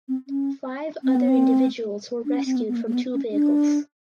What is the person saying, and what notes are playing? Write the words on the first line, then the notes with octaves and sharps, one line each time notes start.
Five other individuals were rescued from two vehicles.
C4
C#4
C4
B3
C4
D4
C#4
C4
B3
B3
A#3
A#3
B3
C#4
D4